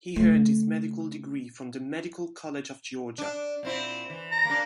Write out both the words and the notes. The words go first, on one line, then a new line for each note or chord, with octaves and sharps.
He earned his medical degree from the Medical College of Georgia.
C#3 A3
D4
A#2 C4 E4
E3
A#5
A#3 D4